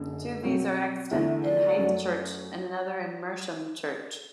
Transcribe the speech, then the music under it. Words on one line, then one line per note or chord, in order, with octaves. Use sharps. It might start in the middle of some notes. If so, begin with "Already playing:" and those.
Two of these are extant in Hythe church, and another in Mersham church.
Already playing: F#1 F#2 D3
B2 F#3 C4
E2 D3 A3 E4 E5
D5
F#2 F#3 A3